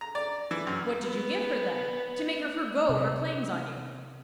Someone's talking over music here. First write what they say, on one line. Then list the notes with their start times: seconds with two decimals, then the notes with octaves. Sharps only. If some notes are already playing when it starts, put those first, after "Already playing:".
"What did you give her, then, to make her forego her claims on you?"
0.01 A#5
0.15 D5
0.51 E3
0.67 F#2
1.01 B3
2.89 C3